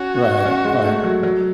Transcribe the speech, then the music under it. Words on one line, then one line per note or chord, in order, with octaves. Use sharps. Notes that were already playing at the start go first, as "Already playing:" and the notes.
Right. Right.
Already playing: C#4 F#4
C#4
G#3
A3
F#3
F#3